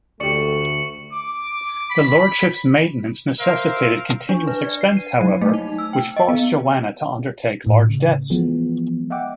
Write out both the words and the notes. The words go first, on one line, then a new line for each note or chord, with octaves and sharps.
The lordship's maintenance necessitated continuous expense, however, which forced Joanna to undertake large debts.
D2 A3 G4 D5 C#6 C#7 F#7
D6
B5
A#4 C5 E5 F5
D4
B4
D5
C7
D#7
F#3
A3
D#4
E6
G5
D#5
B3
A2
C#3
E3 F3 G#3 B3
D#5 E5 F#5 G5 D6